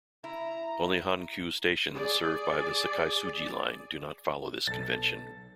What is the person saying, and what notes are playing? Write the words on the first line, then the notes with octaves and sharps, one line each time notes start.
Only Hankyu stations served by the Sakaisuji Line do not follow this convention.
E4 A#5
G#4 D5
B1 A4 A6